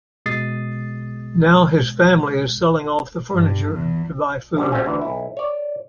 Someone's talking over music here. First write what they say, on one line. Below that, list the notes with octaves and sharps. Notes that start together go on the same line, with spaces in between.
Now his family is selling off the furniture to buy food.
B2 G#3 D#6 A6 C7
G2
E2
A#1 D3 F#3 G3
F#3 G3 A3 C4 C#4 F4
D2 E3
B1 E4
C#5 D5